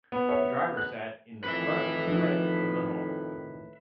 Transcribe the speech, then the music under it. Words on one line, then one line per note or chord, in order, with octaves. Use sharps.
The driver sat in the front right of the hull.
B3
C#5 E5
F#6
F2 A2 D#3 B4 E5
F3 D#4